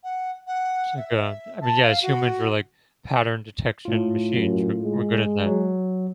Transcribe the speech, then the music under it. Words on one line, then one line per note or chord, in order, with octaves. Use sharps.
It's like, uh, I mean, yeah, as humans we're, like, pattern detection machines, we're, we're good at that.
F#5
F#5
E5
A5
F5
F#4
A2 F4
F#2
G#3
F#3